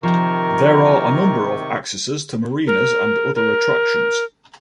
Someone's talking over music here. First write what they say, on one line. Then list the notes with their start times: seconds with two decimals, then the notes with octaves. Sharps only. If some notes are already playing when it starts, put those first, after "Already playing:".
There are a number of accesses to marinas and other attractions.
0.03 C3 D#3 F3 A#4 A#5 C#6
2.67 A#4
3.35 A#4